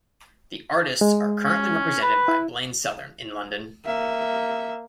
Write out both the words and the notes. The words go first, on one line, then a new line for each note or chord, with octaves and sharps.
The artists are currently represented by BlainSouthern in London.
G#3
C#4
B4
E4
A#3 E5